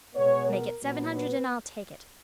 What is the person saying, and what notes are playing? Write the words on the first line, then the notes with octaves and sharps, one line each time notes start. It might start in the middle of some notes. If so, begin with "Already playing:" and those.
"Make it seven hundred and I'll take it."
B2 G#3 B3 C#5
A#4
A#2 F#3 B3
B4